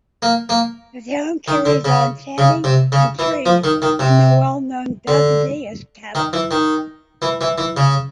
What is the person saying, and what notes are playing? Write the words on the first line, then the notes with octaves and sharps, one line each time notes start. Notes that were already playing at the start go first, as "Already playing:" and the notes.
The town carries on tanning and trade in the well-known Bazadais cattle.
A#3
A#3
D#3
D3
C#3
C#3
C3
C#3
E3
F3
D#3
D#3
C3
D3
D#3
E3
D#3
E3
E3
E3
C#3